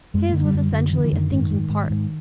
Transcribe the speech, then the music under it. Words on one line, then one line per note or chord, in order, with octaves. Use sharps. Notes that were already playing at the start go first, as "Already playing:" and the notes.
His was essentially a thinking part.
F#2 G#3
D3 A3
G3
F#2 G3
D3 F#3
D3 E3
E3
F#2 D#3
G#2 D#3
G#2
G#2
G#2